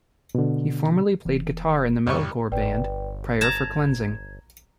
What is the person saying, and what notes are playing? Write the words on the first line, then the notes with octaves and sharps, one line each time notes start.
He formerly played guitar in the metalcore band, Prayer for Cleansing.
B2 D3
E1 E3 B3
A1 F2 A2 C3 G3 C#6
G1 B4 D5 G5
A5 A#5 G#6